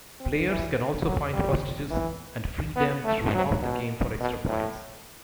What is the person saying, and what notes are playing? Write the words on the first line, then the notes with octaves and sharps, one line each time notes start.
Players can also find hostages and free them throughout the game for extra points.
C4
E3
F#3
G3
E3
B3
A3
F#3
B2
B2
A2